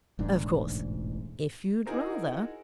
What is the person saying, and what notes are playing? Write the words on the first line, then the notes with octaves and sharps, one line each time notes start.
Of course, if you'd rather ...
E1 A1 G#2 D4
D#4 E4 F#4 G#4 A#4 C5